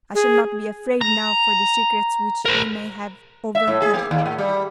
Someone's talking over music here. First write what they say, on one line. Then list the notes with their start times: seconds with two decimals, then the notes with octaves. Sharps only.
I shall not be afraid now for the secrets which he may have overheard.'
0.15 G#4
1.01 A#5
2.46 A#4 C5
3.55 E5
3.68 A2
3.82 G#4
3.94 A#3
4.11 D#2
4.26 A2
4.38 G3